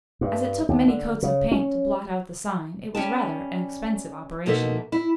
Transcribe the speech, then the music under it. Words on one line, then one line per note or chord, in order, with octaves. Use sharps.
As it took many coats of paint to blot out the sign it was rather a expensive operation.
G2
D#2
D3
C#3
C#4
G3 C#4 G5 A5
B2 A#3 D#4 A4 C5 E5
E4